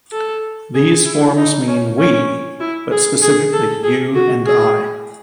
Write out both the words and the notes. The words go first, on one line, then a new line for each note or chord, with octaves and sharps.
These forms mean "we", but specifically "you and I".
A4
G#4
E4
D#4
C#4
C#4
E4
G#4
G#4
A4
G#4
F#4
G#4